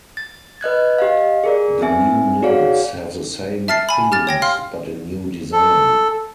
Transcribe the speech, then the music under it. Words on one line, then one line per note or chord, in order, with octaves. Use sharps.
The new notes have the same themes but a new design.
A6
B4 D#5 F#6 G#6
G4 D#5 F5
G#4 A#4 D5
B3 C4 E5 G#5
F#4 G#4 C#5 D5 F5
E5 A5 F6 A6 C7
G#5 B5
G4 F6 A6
C#5 G5 A#6
F5 C6 F6
A4